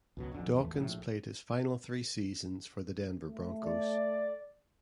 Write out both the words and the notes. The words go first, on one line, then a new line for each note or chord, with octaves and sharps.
Dawkins played his final three seasons for the Denver Broncos.
C#2 B2 F#3
A1 F2 D3
A1 E2 E3 A3
A#1 A2
A3
D5